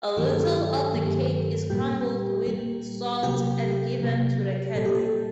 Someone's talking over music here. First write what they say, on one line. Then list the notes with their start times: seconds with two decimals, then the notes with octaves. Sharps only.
A little of the cake is crumbled with salt and given to the cattle.
0.17 G2 D#3 F#3 A#3 G4
0.29 A4
0.41 G4
0.94 G2 D#3 F#3 A#3
1.70 A#2 G3 A#3 G4
2.46 A#2 G3 A#3
3.23 C3 F#3 A#3 G4
4.00 C3 F#3 A#3
4.75 A#2 G3 A#3 A4
4.85 G4
4.95 A4